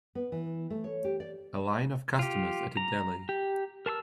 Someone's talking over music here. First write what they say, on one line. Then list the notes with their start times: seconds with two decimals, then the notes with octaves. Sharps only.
A line of customers at a deli.
0.15 B3
0.32 E3
0.70 A3
0.84 C#5
1.05 G4
1.20 D5
2.19 F4 G4
2.77 A#5
3.29 G4
3.86 A#4 A5 C6 E6